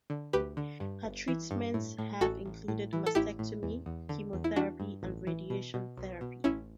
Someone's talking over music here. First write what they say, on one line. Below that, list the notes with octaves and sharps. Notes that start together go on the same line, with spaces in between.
Her treatments have included mastectomy, chemotherapy and radiation therapy.
D3
D2 G4 B4
D3
G2
G1
E3
G2
A2
A2
A1 F#4 A4
A1
A2
E3
A4
A1 E4 G4
A2
E2
E2
D3
E2
E4
E3 D4 F#4
G2
A1
E3
B2
B2
B1
B2
A1 C#4 E4